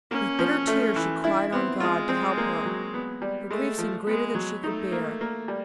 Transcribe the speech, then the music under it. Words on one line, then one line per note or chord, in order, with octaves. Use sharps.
With bitter tears she cried on God to help her; her grief seemed greater than she could bear.
A#3 C#4
F3
A3
E3
D4 E4
B3 C4
G#3 F4
C4
A#3
F#3
B3
G3
G#3 A3
F3
G#3 B3
F#3
A3 D#4
A#3
A#3
G3